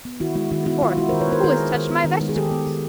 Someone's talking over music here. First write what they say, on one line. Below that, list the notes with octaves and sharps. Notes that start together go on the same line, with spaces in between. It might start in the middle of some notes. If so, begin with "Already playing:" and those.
The fourth, "Who has touched my vegetables?"
B3
D#3 E4 F#4
G#3 E4 F#4
D#3 E4 F#4
B3 E4 F#4
D#3 F4
G#3 E4 F#4
A#4 C5
D#3
B4 C#5
B3 A#4 C5
D#3 G#4 A#4
G#3
D#3
B3
D#3
G#3
G#4
D#3 G4 A4
B3
D#3